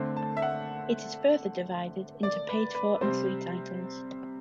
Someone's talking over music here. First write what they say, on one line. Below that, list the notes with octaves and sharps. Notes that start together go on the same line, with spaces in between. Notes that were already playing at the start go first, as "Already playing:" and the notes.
It is further divided into paid for and free titles.
Already playing: D3 A3 C4
A5
E5
F#5
D5
B4
B4
C3 G3 C4 C5